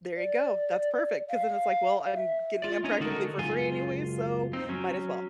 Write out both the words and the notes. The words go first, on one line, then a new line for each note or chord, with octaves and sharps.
There you go, that's perfect, 'cause then it's, like, well, I'm getting them practically for free anyways, so might as well.
D5
F5
E5
F4 D5
C#4 D#4 C#5 D#5
D3 G#3 D#4 F#4 A4 A#4
C#2 F#2 F4 G#5
C4 D#4
F#3 C#4